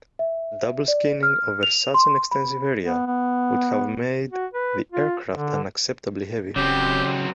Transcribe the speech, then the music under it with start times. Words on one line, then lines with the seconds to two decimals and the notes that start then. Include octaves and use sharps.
Double skinning over such an extensive area would have made the aircraft unacceptably heavy.
0.19 E5
0.88 D5
1.23 F6
1.63 F7
1.94 C6
2.31 B5
2.85 B3
3.06 B3
4.32 F#4
4.53 B4
4.92 F4
5.32 D3
6.56 D1 C#3 F#3 C4 G4